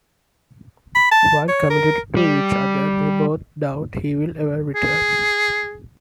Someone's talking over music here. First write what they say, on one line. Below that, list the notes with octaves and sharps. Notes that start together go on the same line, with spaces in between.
While committed to each other, they both doubt he will ever return.
B5
A5
C#5
A#4
G3
G#4